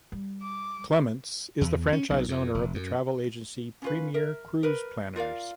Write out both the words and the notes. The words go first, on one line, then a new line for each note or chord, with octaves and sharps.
Clements is the franchise owner of the travel agency Premier Cruise Planners.
G3
D6
E2
C#4
B1
F2
F1
F#2
C#4 F4 B4
A#4 E5
A#4 B4
F4 A#4 D5 F5